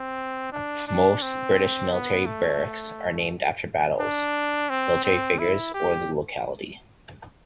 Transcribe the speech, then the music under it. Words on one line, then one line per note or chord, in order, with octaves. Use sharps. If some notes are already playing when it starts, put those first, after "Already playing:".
Most British military barracks are named after battles, military figures or the locality.
Already playing: C4
D4
D4
C4
B3
A3
D4
C4
C4
E4
G4